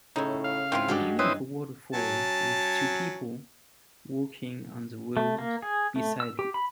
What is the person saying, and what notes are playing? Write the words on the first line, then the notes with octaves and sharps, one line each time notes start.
A beautiful waterfall with two people walking on the road beside it.
A2 C#3 D#4 E4
F5
G#2 C4 E4 F4
G2 G#3 F#4 G4 A4
C4 C#4 E4 B4 D#6
F#3 C#4 A5
A3
A#3
G#4
A3
E6
G4
B5